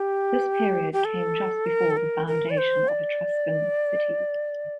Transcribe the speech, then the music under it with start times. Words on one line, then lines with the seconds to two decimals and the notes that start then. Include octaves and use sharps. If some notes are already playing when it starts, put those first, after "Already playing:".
This period came just before the foundation of Etruscan cities.
Already playing: G4
0.93 G4
1.05 A4
1.66 A#4
1.91 A4
1.97 A#4
2.27 A#4
2.50 D5
2.58 C5
2.88 D5